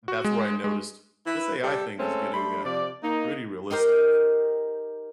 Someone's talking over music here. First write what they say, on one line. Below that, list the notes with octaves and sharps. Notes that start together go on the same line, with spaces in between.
that's where I noticed, "This AI thing is getting, uh, pretty realistic."
F#4
G#3
G#3
E4 B4
G3 A4
G#3 A3 C4 C#4 A4
G3 A3 D4 B5 C6
C3 F3 D5
A#3 D#4
D#4 G4 A#4 C5